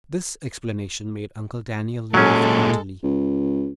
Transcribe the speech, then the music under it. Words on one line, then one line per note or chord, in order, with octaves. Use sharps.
This explanation made Uncle Daniel laugh heartily.
A#2 F#3 G#3 C#4 G#4 A4
C#2